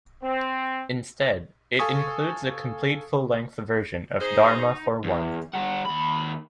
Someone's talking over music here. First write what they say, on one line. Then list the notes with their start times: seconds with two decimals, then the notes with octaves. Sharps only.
Instead, it includes the complete full-length version of "Dharma for One".
0.23 C4
1.79 A4 F5 G#5 C#6 D#6
4.20 D#4 G#4 C5
5.04 E2
5.54 G3 F#5
5.86 D#2 B5